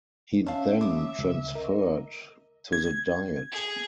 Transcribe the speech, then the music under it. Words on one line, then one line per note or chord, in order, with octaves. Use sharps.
He then transferred to the Diet.
C#4 E5 F5 A5
D6 D#6
C#2
A#4 D#5
G#6
G#4